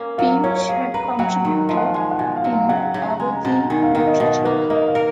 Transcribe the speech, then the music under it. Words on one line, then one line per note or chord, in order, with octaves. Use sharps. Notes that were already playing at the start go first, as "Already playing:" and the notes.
Piyush had contributed in Awadhi literature.
Already playing: A#3 C#4
F#3 F4
C#4 C#5
C#5
G#4 F5
B4 A#5
F#3 F#5
D#3
F3 D#5
F#5
F5
G#3 G#5
F#5
B2 G#5
F5
F#3
F5
C#3 F#5
C#3
A#5
G#3 G#5
A#5
B2
A#5
D#3 G#5
F5
D#3 F5
D#5
B2 D#5
A#3 B4
A#3 D#5
F5
A#4